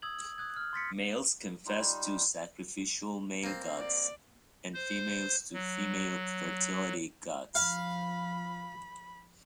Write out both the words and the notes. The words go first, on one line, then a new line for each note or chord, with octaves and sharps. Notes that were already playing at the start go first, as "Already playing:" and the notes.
Males confessed to sacrificial male gods, and females to female fertility gods.
D#6 E6 G#6 F#7
D#6 F#6 G#6
F6
C6 A6 B6 C#7
G3 D#4 F4
A#3 C4
D5
C5
F#3
F3 F5 B5